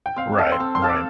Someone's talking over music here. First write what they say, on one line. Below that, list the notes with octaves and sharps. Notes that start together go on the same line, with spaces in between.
Right. Right.
G5
C4 F5
A4 F5
C6
C4 A5
C6
A4 F5
D6